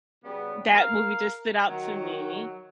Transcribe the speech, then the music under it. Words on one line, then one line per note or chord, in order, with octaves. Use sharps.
that movie just stood out to me
C#3 F#3 G3 B3
A#4 F5
D#3 F#3